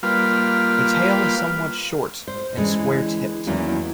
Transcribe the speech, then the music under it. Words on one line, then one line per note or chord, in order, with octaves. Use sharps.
The tail is somewhat short, and square-tipped.
G3 A#3 F4 B4 F5
C5
D3 E3 G#3 C#4
E2 D#3 E3 F#3 A#3 C#4